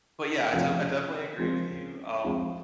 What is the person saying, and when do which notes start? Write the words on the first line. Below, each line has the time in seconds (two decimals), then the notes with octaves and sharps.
But yeah, I de I definitely agree with you, um,
0.53 C3 F3 A3 C#4
1.38 F3 G#3 C4 F4 A#4
2.24 F3 G#3 C4